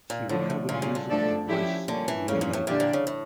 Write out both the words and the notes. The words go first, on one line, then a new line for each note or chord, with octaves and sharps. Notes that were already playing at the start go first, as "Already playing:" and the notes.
She recovered use of her voice a year later.
A#2
A2 D3 F3 A3
A2
A#2 C#3 G3 C#4 F4
A#2
D3
F3 A3 D4 A4 D5
F3 C#4 E4 G4
A#2 D3 G3 C#4
E3
F2 C#3 E3 G3 A#3 C#4
A#2
A2
A#2 D3 G3 D4 G4 D5
A#2
C#3
A2